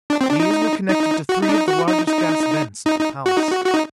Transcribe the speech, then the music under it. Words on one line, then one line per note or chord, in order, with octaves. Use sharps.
These were connected to three of the largest gas vents of the palace.
D4
C4
D4
D#4
D#4
F#4
D#4
D4
D#4
F#4
D#4
D#4
D#4
D#4
F#4
D#4
F#4
F#4
D#4